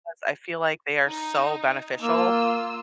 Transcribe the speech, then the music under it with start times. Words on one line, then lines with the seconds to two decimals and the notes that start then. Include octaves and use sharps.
'cause I feel like they are so beneficial,
1.06 D#4
2.02 A#3 F4 E6